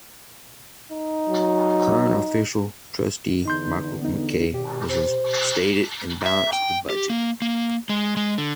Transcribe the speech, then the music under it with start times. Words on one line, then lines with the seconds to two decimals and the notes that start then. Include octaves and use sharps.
Current Official Trustee Michael McKay was instated and balanced the budget.
0.91 D#4
1.29 F#3
3.45 E2 D3 D#4 C6 G6
4.01 B3 D#4
4.52 G#1 B2 G4
4.90 C5
6.26 E5
6.53 G5
6.90 G4
7.10 A#3
7.42 A#3
7.89 G#3
8.17 G#3
8.38 D3